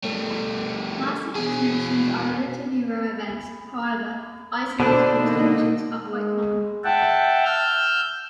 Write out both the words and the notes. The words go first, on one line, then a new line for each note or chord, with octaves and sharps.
Mass extinctions are relatively rare events; however, isolated extinctions are quite common.
G3 A3
B2 G#4
B2 D3 D4 C5
A#3 D#4
G#3
E5 F#5 G5 A5
E6 F6 G6